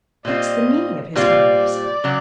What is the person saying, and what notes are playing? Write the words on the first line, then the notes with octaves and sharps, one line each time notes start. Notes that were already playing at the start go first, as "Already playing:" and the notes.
That's the meaning of his kindness.
A#2 G3 C4 F4 D#5
A#2 G3 C4 F4 D5
C#3 F#3